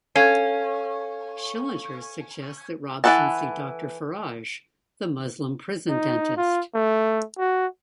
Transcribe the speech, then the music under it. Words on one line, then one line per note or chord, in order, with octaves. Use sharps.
Schillinger suggests that Robson see Doctor Faraj, the Muslim prison dentist.
C#4 A4 F5 C7
E3 F#3 A4 F#5 A5
D#4
F4
A3
F#4